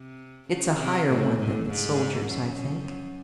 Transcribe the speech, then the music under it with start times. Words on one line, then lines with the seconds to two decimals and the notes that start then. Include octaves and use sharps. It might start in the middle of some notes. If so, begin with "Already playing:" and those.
It's a higher one than the soldier's, I think.
Already playing: C3
0.49 C#3
0.80 C3
1.09 A2
1.40 A2
1.70 G#2
2.29 F#2